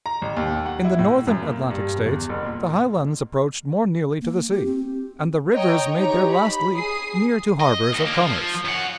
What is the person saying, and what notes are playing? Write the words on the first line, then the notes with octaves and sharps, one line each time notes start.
In the Northern Atlantic States the highlands approached more nearly to the sea, and the rivers made their last leap near to harbors of commerce.
A#5
A1
D#2
F#5
E4
A2
F#2
A#3
G2
E2
F#1
A#2
A#3
G4
C4
C#5 D#5 G5 A#5
D#4 G4 C#5 A#5
B5
G#4 D#6 C7
D#5
D#2
D3 A#3
F3
F#2 F#5